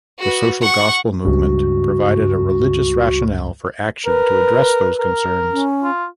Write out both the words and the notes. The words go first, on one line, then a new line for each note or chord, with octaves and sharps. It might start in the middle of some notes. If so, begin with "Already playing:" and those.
The social gospel movement provided a religious rationale for action to address those concerns.
F#4 B4
F#5 C#6
C#2 G2 F#4
A#4 B4
A#4
C#4
F4